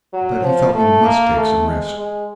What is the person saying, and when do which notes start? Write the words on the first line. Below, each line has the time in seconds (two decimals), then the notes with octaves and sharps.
But he felt he must take some risks.
0.13 F#3
0.43 F3
0.75 A3
1.05 A#3
1.36 A3
1.66 G#3
1.98 G#3